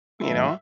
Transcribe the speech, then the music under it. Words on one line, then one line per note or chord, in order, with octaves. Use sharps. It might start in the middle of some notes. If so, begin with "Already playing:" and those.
you know?
G#2 D#3 F#3 A3 E5